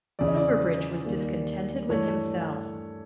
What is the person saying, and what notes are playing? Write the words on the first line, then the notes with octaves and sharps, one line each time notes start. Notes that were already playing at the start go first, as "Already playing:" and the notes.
Silverbridge was discontented with himself.
E2 C#3 E3 D5
D#5
D5
D#2 D#3 G3 A#3
G2 E3 A3 C#5